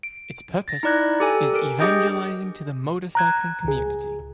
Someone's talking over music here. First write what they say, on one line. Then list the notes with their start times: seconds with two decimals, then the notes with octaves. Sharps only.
Its purpose is evangelizing to the motorcycling community.
0.03 D7
0.68 A6 A#6
0.83 D#4 E4 D5 F#6 G#6
1.20 G4 A4 G#5
1.54 A#4 D7
1.80 D4 G4 G#4 D#5 G6
3.15 A#5 F#6 G#6
3.64 C#2 G#4